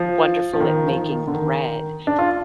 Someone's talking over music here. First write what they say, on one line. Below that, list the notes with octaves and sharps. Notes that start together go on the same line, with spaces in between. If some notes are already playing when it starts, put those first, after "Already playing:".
wonderful at making bread,
Already playing: F3
F3
D#3
F3
D#3
D3
D#3
D4
F4